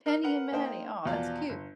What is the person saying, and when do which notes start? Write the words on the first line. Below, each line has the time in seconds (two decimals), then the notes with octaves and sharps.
Penny and Maddie, aw, that's cute.
0.06 A#4 F6
0.23 A#4 B4 F#5
0.52 A#3 D#4 C5 G5
1.05 E2 B2 F3 F4 D5
1.49 G1